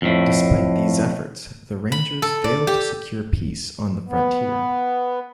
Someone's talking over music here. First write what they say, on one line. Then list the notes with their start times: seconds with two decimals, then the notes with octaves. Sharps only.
Despite these efforts, the Rangers failed to secure peace on the frontier.
0.02 F2 A2
1.92 B5
2.22 A4
2.44 D5
2.67 G4
4.09 B3